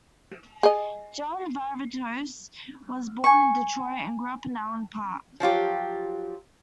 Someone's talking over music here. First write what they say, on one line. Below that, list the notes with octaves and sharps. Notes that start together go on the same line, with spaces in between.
John Varvatos was born in Detroit and grew up in Allen Park.
G#4 D#5
G#5 C#6
F3 F#3 F4 G4